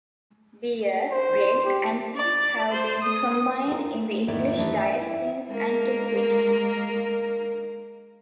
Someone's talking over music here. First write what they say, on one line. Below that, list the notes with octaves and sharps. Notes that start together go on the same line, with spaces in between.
Beer, bread, and cheese have been combined in the English diet since antiquity.
C5
G4
D5
C5
D#6
F4 A#4
E2 G#2 D#3 E4 D5
E3 A3 D4 D#4 G4
E4
G#3 A#3 A#4